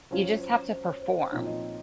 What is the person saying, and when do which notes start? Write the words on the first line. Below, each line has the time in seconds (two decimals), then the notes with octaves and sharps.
you just have to perform.
0.11 F#3 C#4 F4 C5
0.26 C#5
0.41 C5
0.56 C#5
0.71 C5
0.86 C#5
1.02 C5
1.16 C5
1.32 A#2 F3 C4 D#4 C#5
1.46 D#5